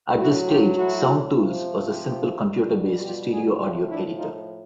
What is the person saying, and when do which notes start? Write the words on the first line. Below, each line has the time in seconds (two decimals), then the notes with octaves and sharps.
At this stage Sound Tools was a simple computer based stereo audio editor.
0.19 A2 F#3 E4 F#4
0.48 F4 G4
0.76 E4 F#4
1.34 C3 F3
1.90 F4 G4
2.47 B2 G3
3.04 F4 G4
3.32 F#4 G#4
3.60 A2 F3 F4 G4
3.89 D4 E4
4.18 D#4 F4